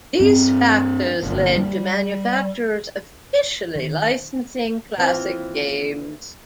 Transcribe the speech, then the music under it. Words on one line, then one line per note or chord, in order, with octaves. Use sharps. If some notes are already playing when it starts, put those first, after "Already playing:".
These factors led to manufacturers officially licensing classic games.
G2 C4
G1 A#2
G3
D#3
D#2 E3 C4 E4 F4